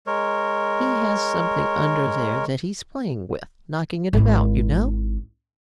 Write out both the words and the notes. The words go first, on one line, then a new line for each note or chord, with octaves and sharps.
He has something under there that he's playing with, knocking it about, you know.
G#3 A#4 C#5
G#1 E4